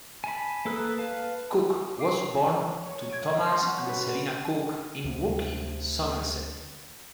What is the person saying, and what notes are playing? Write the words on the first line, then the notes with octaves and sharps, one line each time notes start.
Cook was born to Thomas and Selina Cook in Wookey, Somerset.
G#5 A5 B5
A#3 A4 B4 D#6
B4 F5 A5
D6 C7 D7
C#5
G#6 D7 D#7
A5 C6 C#6 D#6 F6 A#6
C#4 F#5
F#4 B4
D2 C3